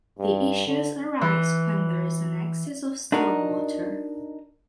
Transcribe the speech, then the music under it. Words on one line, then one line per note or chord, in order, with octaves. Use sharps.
The issues arise when there is an excess of stormwater.
G2
D3
E3
D4 D#4 F#4 A#4